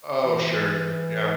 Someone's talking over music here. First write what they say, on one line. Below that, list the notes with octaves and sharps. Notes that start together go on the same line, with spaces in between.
Oh, sure. Yeah.
E3